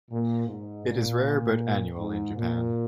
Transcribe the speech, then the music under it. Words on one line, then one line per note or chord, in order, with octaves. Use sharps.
It is rare but annual in Japan.
A#2
G#2
A#2
G#2
A#2